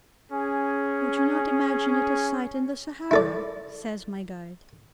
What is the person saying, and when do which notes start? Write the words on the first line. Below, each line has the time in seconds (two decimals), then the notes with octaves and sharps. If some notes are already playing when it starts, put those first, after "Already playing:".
"Would you not imagine it a site in the Sahara?" says my guide.
0.31 C#4 G#4
3.11 E4 A4 D5